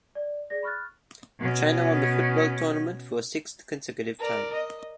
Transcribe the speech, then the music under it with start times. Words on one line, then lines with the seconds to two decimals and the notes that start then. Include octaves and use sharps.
China won the football tournament for a sixth consecutive time.
0.15 D5
0.50 G#4 D5 A#6
0.63 B5 C#6 F6 F#6 A6
1.39 B2 C#4
4.18 A#4 D5
4.52 D#5